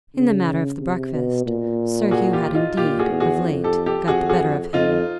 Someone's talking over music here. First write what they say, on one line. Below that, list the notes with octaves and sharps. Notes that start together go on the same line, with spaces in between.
In the matter of the breakfast, Sir Hugh had indeed, of late, got the better of him.
C#3
C3
B2
A#2
F#4 G#4
F4 G4
D#4 F4
A#2 F4 G4
F#4 G#4
E2
F#4 G#4
F2
G4 A4
G4 A4
F2 F#4 G#4
F#4 G#4
F2 D#4 F4